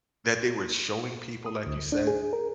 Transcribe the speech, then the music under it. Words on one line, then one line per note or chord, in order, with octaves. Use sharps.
that they were showing people, like you said,
D#6
D2
D4
G#4
A#4